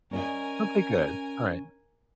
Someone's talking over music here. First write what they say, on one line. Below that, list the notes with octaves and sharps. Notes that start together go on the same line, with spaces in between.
Okay, good, alright.
C#4 A#4 D5 D#5 G#5